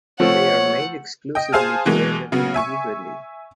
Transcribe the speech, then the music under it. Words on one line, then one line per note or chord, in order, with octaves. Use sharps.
They are made exclusively to order individually.
F3 A3 C4 C#5 F#5
D#5 G5
G#4 C5 F5 G#5 A5 F6
B2 E3 F#3 G#3 A#3
C#3 F#3 B3
E5 G#5 C#6